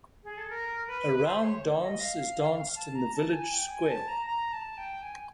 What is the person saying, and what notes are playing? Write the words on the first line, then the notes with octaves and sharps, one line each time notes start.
A round dance is danced in the village square.
G#4
A4
A#4
B4
C5
C#5
D#5
F5
A5
A#5
A5
G#5
G5
G#5
A5
A#5
A#5
A5
G5
G#5